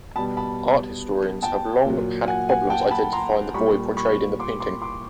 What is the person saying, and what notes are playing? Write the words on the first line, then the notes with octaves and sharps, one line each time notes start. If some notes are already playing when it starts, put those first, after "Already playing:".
Art historians have long had problems identifying the boy portrayed in the painting.
B2 G3 A5 B5
A5 B5
G5 A5
A#2 F#3
F#5 G#5
F#5 G#5
G5 A5
A5 B5
A#5 C6
A#2 G3 B5 C#6
B5 C#6
C6 D6
C6 D6
C6 D6